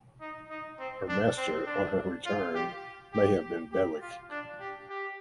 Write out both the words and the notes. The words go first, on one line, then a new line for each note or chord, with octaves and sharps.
Her master on her return may have been Bewick.
D#4
D#4
C4
D4
C4
D4
F4
G4
G4
G4
F4
D4
G4
G4